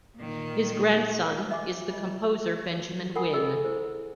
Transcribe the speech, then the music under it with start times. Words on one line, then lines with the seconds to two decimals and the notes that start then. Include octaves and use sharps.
His grandson is the composer Benjamin Wynn.
0.16 A#2 D#3
1.50 D#5 E5 G#5 D6
1.89 F4 D#5
3.15 A#4 F#5 G#5 B5 D#6
3.33 G#4 A4 D#5 E6
3.64 E4 C5